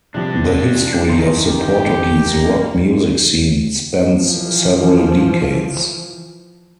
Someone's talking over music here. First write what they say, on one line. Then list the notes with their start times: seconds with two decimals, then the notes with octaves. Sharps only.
The history of the Portuguese rock music scene spans several decades.
0.14 C3 F3 G3 D4 G4
0.74 E2 F4
1.08 F#1 D#3 C6 C7
1.47 G4
2.27 A#3
4.18 E3 F3